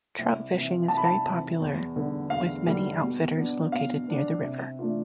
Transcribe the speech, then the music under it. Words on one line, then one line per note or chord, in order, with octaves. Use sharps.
Trout fishing is very popular with many outfitters located near the river.
C2
C3 E3
C2 A5
B5
A5
C3 E3
E2
D3 G3 B3
E2 F5
D3 G3 B3
B2
B3 D4
B2 F5
B3 D4
C3
E3 A3 D4 F4